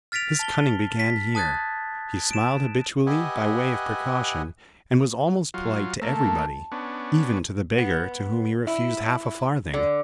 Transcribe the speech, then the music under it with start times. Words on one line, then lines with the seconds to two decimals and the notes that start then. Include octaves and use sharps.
His cunning began here; he smiled habitually, by way of precaution, and was almost polite to everybody, even to the beggar to whom he refused half a farthing.
0.12 F6 A6 B6 D7 F7
0.39 A5 G7
1.00 B6
1.35 A5 D#6 F#6 G#6 A6
2.31 D7 E7
3.06 G4 B4 D#5 E5 F#5 G#5
5.54 F#3 F4
6.02 A3 A#3 A5
6.72 B3 C#4 D4
7.78 B3
8.67 E4
9.74 D3